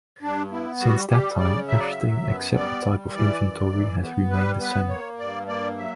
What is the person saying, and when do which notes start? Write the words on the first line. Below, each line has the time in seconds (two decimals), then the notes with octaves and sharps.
Since that time, everything except the type of inventory has remained the same.
0.22 G2 D4
0.51 B3 E4
0.81 G3 F#4
1.09 G3 G4
1.39 C#3 D5
1.68 F#3 E5
1.79 D5
1.92 E5
1.98 F#2
2.27 B3
2.55 G3 D5
2.85 G3
3.14 E3 D5
3.43 F#2
3.72 E3
4.02 B3
4.30 G3 B4
4.59 B3 B4
4.89 A#3 C#5
5.18 G2 D5
5.48 A#3 D5
5.77 F#3 E5